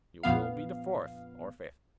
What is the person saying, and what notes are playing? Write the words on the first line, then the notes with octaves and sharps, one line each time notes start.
You will be the fourth or fifth.
A#1 F2 B3 F5